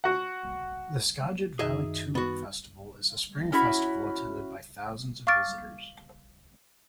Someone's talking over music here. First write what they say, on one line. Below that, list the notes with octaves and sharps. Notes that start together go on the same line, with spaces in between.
The Skagit Valley Tulip Festival is a spring festival attended by thousands of visitors.
F#4 F#5
F#2 D#3 D#4 G#4 D#5 E5
B3 F#4 A6
C#4 E4 F#4 B5
F5 C#6 D6 F6 A6 D7